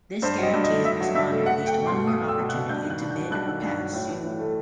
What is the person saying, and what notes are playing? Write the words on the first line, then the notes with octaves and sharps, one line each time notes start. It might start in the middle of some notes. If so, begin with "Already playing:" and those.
This guarantees the responder at least one more opportunity to bid or pass.
G2 C5
F#3 D#5
G2
D#5
A3
G2 E5
F#3
G2 E5
A3
A3 F#5
A3 G5
B2
C6
B2
A3 D#6
A3 E6
B2
B2 F#6
G2 G6
D#3
F#6
G2
F#3 G6
G2 F#6
D#3
G2
F#3
A2
E3
A2
A3